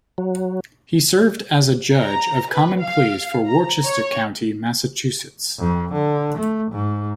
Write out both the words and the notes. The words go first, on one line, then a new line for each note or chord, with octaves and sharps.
He served as a Judge of Common Pleas for Worcester County, Massachusetts.
F#3
A#5
B4
F5
A#5
C#5
F2
D3
A3
G#2